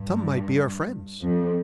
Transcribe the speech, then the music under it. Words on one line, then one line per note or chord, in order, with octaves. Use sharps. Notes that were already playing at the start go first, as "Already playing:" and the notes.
Some might be our friends.
Already playing: G2
F2